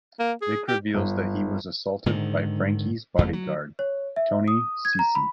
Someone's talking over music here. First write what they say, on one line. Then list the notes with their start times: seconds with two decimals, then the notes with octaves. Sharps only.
Vic reveals that he was assaulted by Frankie's bodyguard, Tony Cicci.
0.19 A#3
0.41 G#4
0.68 G4
0.94 G1
2.06 G#2 D3 D#3
3.18 F#1 F2 A3
3.33 F#3
3.79 C#5
4.16 E5
4.48 D#6
4.85 G#6
4.99 A#5
5.15 B5